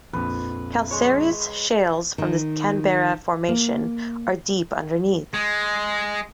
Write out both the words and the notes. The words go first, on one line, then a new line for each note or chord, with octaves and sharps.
Calcareous shales from the Canberra Formation are deep underneath.
A#1 F2 B4
G#3 C#5
D#3
A#3
G#3